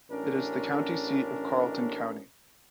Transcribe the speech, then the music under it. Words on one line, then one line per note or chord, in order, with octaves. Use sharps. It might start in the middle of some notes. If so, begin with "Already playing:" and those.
It is the county seat of Carlton County.
A1 C#4 D4 A#4